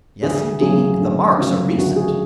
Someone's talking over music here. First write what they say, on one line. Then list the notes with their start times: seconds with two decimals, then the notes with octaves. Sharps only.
"Yes, indeed, the marks are recent."
0.22 D2 G#4
0.61 C#3 F#3 G#4
1.00 D2
1.38 C#3 F#3
1.77 D2 F#4
1.96 G#4